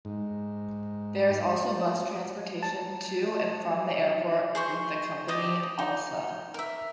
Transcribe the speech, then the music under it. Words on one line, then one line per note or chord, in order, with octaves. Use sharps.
There is also bus transportation to and from the airport with the company Alsa.
G#2
A5
G#4 C5 C#6
G4 D5 D#5 D#6
D#4
A#4 E5